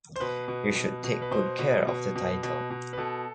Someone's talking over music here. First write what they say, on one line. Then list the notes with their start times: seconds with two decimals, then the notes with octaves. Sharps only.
You should take good care of the title.
0.16 C5
0.20 B2 B4
0.48 B2
0.75 B2
1.04 B2
1.22 B4
1.31 B2 C5
1.59 B2 B4
1.87 B2
2.15 B2
2.43 B2
2.70 B2
2.93 B4
2.98 B2 A4